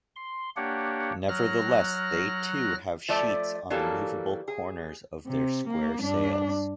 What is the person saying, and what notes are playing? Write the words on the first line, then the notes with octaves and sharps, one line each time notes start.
Nevertheless, they too have sheets on the movable corners of their square sails.
C6
A#3 D4 G4 C#5 F#5
F#3 F6 F#6 A#6
F3 A3 D5 E5
E3 F#3 G3 A#3 A4
G#4
C3
A#3
G2 D4